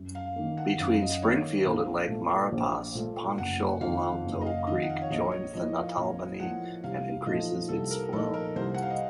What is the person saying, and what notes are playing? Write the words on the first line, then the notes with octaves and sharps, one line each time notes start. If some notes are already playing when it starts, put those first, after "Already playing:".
Between Springfield and Lake Maurepas, Ponchatoula Creek joins the Natalbany and increases its flow.
Already playing: F#2
F5
D#3 A#3
F#5
F#2 F5
D#5
D#3 A#3 C#5
A#1 F5
A#2 A3
A#1
A#2 A3
F#1 F#5
F2 D#3 F5
F#1
D#5
F5
F2 D#3 D#5
F#5
F5
C#5
A#1 D#5
C#5
A2 F3 A#3 D#5
F5
A#1 F5
A2 F3 A#3 F#5
C2 F5
A#2 F3 A3 D#4 D#5
C2 A4
A#4
A#2 F3 A3 D#4 A4
A#4
C2 C5
F#5
F5
D#5